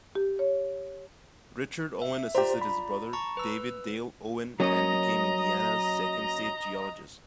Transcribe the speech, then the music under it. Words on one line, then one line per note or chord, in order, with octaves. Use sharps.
Richard Owen assisted his brother, David Dale Owen, and became Indiana's second state geologist.
G4
C#5
E5
F4 G4 C5 D5 A#5
B5
A5 A#5 C#6
B4 E6
F#3 A#3 C#4 D#5 A#5